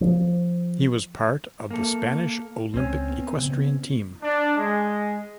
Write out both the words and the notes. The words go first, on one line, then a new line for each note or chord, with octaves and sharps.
He was part of the Spanish Olympic equestrian team.
F3
A#3 A4
C#2 C4 C#4
B3
C#3 B3
D4
G#3